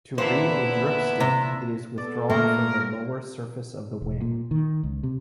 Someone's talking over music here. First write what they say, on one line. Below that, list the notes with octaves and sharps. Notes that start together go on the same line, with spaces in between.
To read a dripstick, it is withdrawn from the lower surface of the wing.
E2 A#2 D3 B3 E4 C5 E5
C3
B3 A4 D5
A#2 A3 A#4
E1
A#2
D#3
C#2
C3